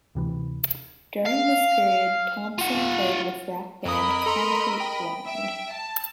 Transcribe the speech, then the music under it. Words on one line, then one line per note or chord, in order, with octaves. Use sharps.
During this period Thompson played with rock band Concrete Blonde.
D2 C3 E3
F5
F4 F#5
F2 A#4 D#5 B5 D#6
A4 A#5 C6
G5
E5
A5